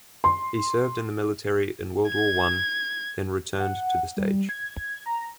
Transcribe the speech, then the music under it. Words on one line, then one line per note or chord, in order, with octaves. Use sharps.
He served in the military in World War One, then returned to the stage.
C6
G#6
F#5
G3
G#6
A#5